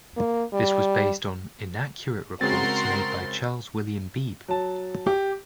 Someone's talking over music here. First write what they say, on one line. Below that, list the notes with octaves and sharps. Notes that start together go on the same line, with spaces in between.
This was based on inaccurate reports made by Charles William Beebe.
A#3
G3
C#3 G#3 C4 F#4 A#4 C6 A6
F#3 A5
G4